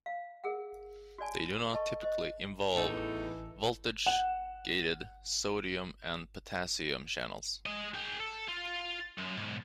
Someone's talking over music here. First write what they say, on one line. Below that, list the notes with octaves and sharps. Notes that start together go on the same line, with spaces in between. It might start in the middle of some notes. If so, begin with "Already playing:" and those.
They do not typically involve voltage-gated sodium and potassium channels.
F5
G#4 A#4 F#5
F#4 C#5 D5 G#5 A5
A4 B4 D#5 A5 C#6
C5 D#5
A1 E2 E3 A3 D#4 A5 E6
F#5 E7
G#3 D#5
G#4 G5
A4
F4
F#2
B1 G#2